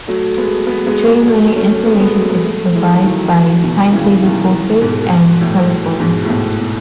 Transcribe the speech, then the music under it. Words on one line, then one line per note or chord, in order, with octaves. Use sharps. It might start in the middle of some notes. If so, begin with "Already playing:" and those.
Train running information is provide by timetable posters and telephone.
F#3 A3
G#3 B3
G#3 B3
G#3 B3
G#3 B3
F#3 A3
A3 C#4
G#3 B3
G#3 B3
F#3 A3
G#3 B3
F#3 A3
E3 G#3
G#3
D#3 F#3
B2 D#3
C#3 E3
B2 D#3
G#2 B2
A2
G#2 B2
A2
G#2 B2
B2